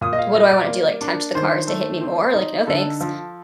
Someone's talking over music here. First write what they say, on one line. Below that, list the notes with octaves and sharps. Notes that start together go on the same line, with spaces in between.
what do I wanna do? Like, tempt the cars to hit me more? Like, "No, thanks."
A#2 D#6
D#5
F5
G3 D#5
D5
A#3
D4
D#3 C5
A3
C4
D#4
D3 A4
F3